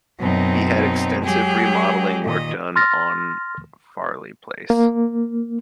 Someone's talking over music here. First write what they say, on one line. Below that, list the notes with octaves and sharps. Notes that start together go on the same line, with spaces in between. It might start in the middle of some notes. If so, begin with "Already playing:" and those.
He had extensive remodelling work done on Firle Place.
F#2 B2 F#3 C4 D#4
F#3 G#3 G4 G#4
A#2 D#3 D#5
C6 F6 A6 A#6
A#3